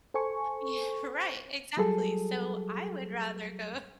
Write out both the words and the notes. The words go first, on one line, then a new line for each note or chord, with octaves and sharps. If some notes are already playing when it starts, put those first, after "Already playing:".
Yeah, right, exactly. So I would rather go
A4 C5 G#5 C#6
F#3 G3 G#4 A4